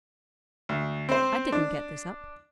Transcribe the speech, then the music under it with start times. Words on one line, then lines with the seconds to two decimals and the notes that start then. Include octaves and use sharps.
I didn't get this up.
0.69 D2
1.09 C4 C5
1.52 D4